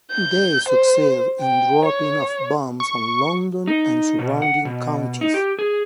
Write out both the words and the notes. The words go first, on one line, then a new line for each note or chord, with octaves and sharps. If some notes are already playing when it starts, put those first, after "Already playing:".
They succeeded in dropping of bombs on London and surrounding counties.
G6
C5
G5
C#5
C#6
D#4
B2
F#5
B2
D#4
G4
G#4